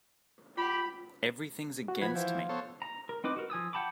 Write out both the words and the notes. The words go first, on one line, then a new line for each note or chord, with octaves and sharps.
Everything’s against me.
F4 G4 F#5 B5
F#4
F3 B4 F#5 B5 G#6
E3 F4 C5
B3 A4 C5 C#5
A#5
A#4
C4 D#4 B4 D6
F#4 A#4
F3 G#5 D#6 E6
F#5 G5 A5 B5 D6